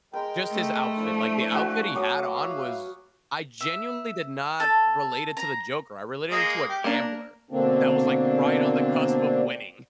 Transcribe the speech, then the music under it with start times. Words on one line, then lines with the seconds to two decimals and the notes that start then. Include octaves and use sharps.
Just his outfit. Like, the outfit he had on was I genuinely did not relate it to the Joker. I related it to a gambler that was, like, right on the cusp of winning.
0.14 G#3 A#4 G5 B5
0.51 A3
0.97 F3 D4 E4
1.54 F#4 G#5 B5
1.95 F#3 D6 D#6
2.34 B4 E5 F5
3.60 E5
4.60 A4
5.37 A#5
6.31 G#3 A#3 D#5
6.69 G4
6.84 A#3 D4 A#4
7.51 B2 D3 A#3 C4 D4